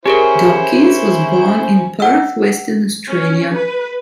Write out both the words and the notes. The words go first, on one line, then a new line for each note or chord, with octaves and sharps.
Dawkins was born in Perth, Western Australia.
C#4 E4 G4 G#4 A#4 C5
F#5 E6
C#4
B4